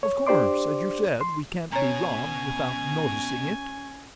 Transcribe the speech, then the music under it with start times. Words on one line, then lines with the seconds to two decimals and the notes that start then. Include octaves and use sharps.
"Of course, as you said, we can't be robbed without noticing it."
0.03 C#5
0.27 D4 G4 C5 D5 C6 D6
1.21 C6
1.73 B2 C#4 C#5 G#5 A#5